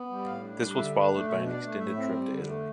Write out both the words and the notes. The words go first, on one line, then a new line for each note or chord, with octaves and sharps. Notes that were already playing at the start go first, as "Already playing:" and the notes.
This was followed by an extended trip to Italy.
Already playing: B3
G3
A2 F5
D4
G3
D3 E5
D4
A3
B2 E5
D4
D5
A3
A2 E5
C4
G3
D3
A3